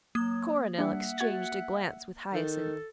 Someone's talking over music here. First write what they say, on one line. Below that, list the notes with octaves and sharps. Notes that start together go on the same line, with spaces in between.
Coronel exchanged a glance with Hyacinth.
F#3 A#3 D#6
G3 D4 E5 F#5
F#4 G#6 A6
D#3 A4